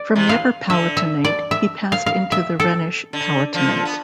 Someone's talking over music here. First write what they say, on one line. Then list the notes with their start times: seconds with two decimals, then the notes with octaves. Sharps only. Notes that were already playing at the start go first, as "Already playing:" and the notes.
From the Upper Palatinate, he passed into the Rhenish Palatinate.
Already playing: D5
0.15 C3 E3
0.29 F5
0.70 D3 E5
0.97 E5
1.25 D5
1.51 E5
1.92 F5
2.06 F5
2.32 E5
2.60 A4
3.13 D3
3.54 D3 F3
3.85 B3